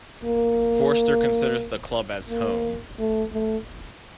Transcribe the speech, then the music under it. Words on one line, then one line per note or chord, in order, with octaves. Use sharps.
Forster considers the club as "home".
A#3
A#3
A3
A3